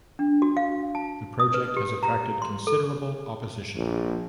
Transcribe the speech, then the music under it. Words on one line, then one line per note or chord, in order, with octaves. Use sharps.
The project has attracted considerable opposition.
D4
F#4
F5
A5
D#6
B4
G4
A#5
C6
A4
A#1